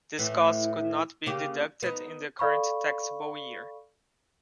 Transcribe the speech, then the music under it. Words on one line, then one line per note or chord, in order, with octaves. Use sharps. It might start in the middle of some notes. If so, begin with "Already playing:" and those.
This cost could not be deducted in the current taxable year.
A2 E3
C#3 A#3 G4
B3 D#4
A4 D5 F5 B5 C#6